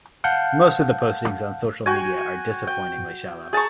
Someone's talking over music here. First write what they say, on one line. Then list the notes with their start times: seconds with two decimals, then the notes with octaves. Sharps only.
Most of the postings on social media are disappointingly shallow.
0.24 F5 F#5 A5 G6
1.86 F#4 G5 G#5
2.67 G5
3.53 G#4 A5 A#5 C#6